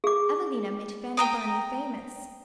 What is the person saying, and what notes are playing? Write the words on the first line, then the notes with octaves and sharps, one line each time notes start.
"Evelina" made Fanny Burney famous.
G#4 D6
G5 A#5 D#6